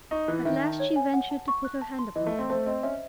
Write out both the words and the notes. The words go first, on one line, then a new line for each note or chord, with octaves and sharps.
At last she ventured to put her hand upon him.
D#4 C#6
E3 F#6
D#3 E5
A5
C#5
G#5
F#5
A5
C#6
F#6
A5
C6
E3 D#5
A3
A5
C4
A3 C5
C4 D#5
C#4 E5